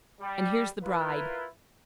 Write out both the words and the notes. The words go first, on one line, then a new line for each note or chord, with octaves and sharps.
And here's the Bride!
G3
E4 F4 A#4 B4